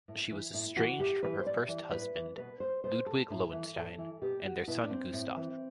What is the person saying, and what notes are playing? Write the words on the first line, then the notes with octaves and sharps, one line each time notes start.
She was estranged from her first husband, Ludwig Lowenstein, and their son Gustaf.
A2
E3
A2 E4
E3 F#4
A2 G4
E3 B4
C5
A2 D5
E3
A2 B4
E3
B2 B4
C5
B2 C5
A4
A2
E3
A2 A4
E3
B2 G4
F#4
B2 E4
D4
C4
A2
E3